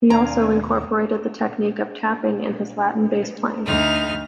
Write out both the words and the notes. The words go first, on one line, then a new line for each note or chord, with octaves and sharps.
He also incorporated the technique of "tapping" in his Latin bass playing.
D#2 B2 C4 D4 F5 G#5 A#5
D2 D#4 F6